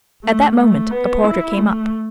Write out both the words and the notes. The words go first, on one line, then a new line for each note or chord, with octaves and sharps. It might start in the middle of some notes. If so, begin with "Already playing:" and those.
At that moment a porter came up.
A3
A3
B3
E4
A3